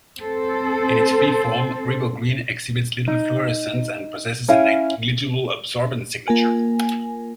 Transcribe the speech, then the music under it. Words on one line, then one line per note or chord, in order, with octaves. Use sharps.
In its free form, RiboGreen exhibits little fluorescence and possesses a negligible absorbance signature.
C4 A4 C5
D#4
C#4 E4 F5
A#3 F4 A#4 G#5